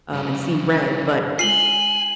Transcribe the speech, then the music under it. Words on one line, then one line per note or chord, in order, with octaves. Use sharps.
um, and see red, but
G2 C#3
G#3 F4 G#5 C7 F#7 G7